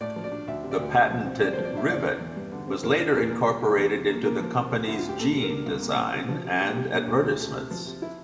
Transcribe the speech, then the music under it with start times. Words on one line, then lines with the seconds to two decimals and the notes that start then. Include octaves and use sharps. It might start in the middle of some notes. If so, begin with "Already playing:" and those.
The patented rivet was later incorporated into the company's jean design and advertisements.
0.01 A2 D5
0.16 F3
0.24 D5
0.32 D4
0.48 D2 E5
0.63 C3
0.71 D5
0.79 D2
0.94 C3
1.11 F3
1.26 C4
1.42 G2 D5
1.53 C5
1.58 F3
1.65 D5
1.73 D4 E5
1.89 E2 D5
2.05 E3
2.21 E2
2.36 G2
2.52 D3
2.68 C4
2.83 E2 A#4
2.99 E3 D5
3.15 E2 A#4
3.31 A#2
3.46 G3
3.62 E4
3.78 E2
3.93 C3
4.09 A#3
4.24 A#2 A#4
4.41 F3
4.56 C4
4.72 D2
4.87 D3 E4
4.98 D2 F4
5.09 G4
5.19 A#2 A4
5.35 G3
5.42 A#4
5.50 D4
5.66 C2
5.82 A#2
5.98 C4
6.13 C3
6.29 F3
6.45 C3
6.60 A#2 G4
6.76 G3
6.92 A#2
7.07 D2
7.24 C3
7.39 A3
7.54 C3
7.71 F3
7.86 C3
8.02 E4